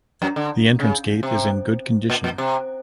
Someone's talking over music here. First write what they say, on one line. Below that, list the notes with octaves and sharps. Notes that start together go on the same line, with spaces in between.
The entrance gate is in good condition.
F#2 F#3
D3
C#3
C3
A#2
A#2
C3